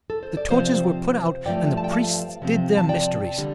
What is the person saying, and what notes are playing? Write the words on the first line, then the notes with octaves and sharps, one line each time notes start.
The torches were put out and the priests did their mysteries.
A4
C5
D5
C3 F3 C4 C5 F5
G2 F3 A3 D5 G5
A5
G5
F5 A5
C3 F3 C4
A5
D5 G5
D3 G3